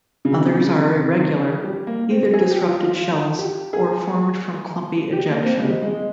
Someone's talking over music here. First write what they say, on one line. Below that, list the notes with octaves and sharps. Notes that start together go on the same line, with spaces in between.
Others are irregular, either disrupted shells or formed from clumpy ejection.
C#3
D#3
C#3
C#3
C3
D#3
G3
A#3
C4
G#4
G4
F4
F4
F4
G4
G#4
G4
A#3
C4
A#3
G#3
G3
G#3